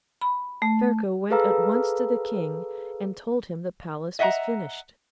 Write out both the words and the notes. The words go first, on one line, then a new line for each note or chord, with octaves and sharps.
Ferko went at once to the King and told him the palace was finished.
B5
A3
G#4 A4 B4 F5 A#5 E6
D#5 E5 F#5 G5 A#5